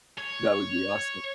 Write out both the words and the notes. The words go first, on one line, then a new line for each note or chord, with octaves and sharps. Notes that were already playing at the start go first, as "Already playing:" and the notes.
That would be awesome.
C#5